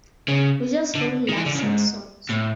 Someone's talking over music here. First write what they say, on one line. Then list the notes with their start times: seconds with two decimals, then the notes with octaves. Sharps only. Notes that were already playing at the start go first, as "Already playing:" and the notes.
We just really love sad songs.
0.28 C#3
0.95 D3
1.29 D#3
1.37 E3
1.46 D3
1.55 C#3
1.63 G#2
2.30 A2